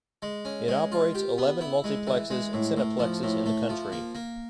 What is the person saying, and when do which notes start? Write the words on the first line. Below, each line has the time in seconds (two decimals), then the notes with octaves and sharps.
It operates eleven multiplexes and cineplexes in the country.
0.22 G#3
0.45 C#4
0.68 G#3
0.92 F4
1.15 G4
1.38 B3
1.61 E4
1.84 G#3
2.07 E3
2.30 G#3
2.53 A2
2.77 A2
2.99 F3
3.23 A2
3.46 A3
3.69 F3
3.92 A#3
4.15 A#3